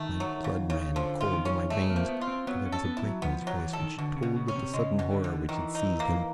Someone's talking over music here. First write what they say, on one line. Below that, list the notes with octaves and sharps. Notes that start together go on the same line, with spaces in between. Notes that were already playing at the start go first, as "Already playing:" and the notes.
My blood ran cold in my veins, for there was a break in his voice which told of the sudden horror which had seized him.
Already playing: D#3 A3
F#3
C#3
C#3
D3 F3
F4
D3
D#3
C#4
G#3 A3
A#3
F3
B3
F4
C4
F#3 B3
C#4
A4
B3
E4
F#3
F3 B3
F3
F#3
E3
A4
D#3
B2 D3
C#3
B2
C#3
C#4
C3
C#3 G#3
B2
D3
B2
D#3 E3
D#4
A#3